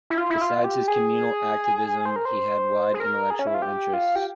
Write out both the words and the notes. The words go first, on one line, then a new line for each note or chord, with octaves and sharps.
Besides his communal activism, he had wide intellectual interests.
E4
F4
E4
F4
G4
G#4
C5
A#4
C5
G#4
A#4
G#4
C#4
E4
F4
G4
F4
G4